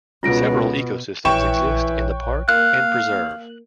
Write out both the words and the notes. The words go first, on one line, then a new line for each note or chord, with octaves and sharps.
Several ecosystems exist in the park and preserve.
C#2 B2 F4 A#6 D7
A#1 E3 C#5 G5 C#6 F#6 E7
A#3 F5 F#6